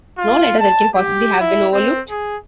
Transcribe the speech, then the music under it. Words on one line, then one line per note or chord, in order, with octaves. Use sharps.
No letter that can possibly have been overlooked?
F4
A5
G4
E4
C4
G#4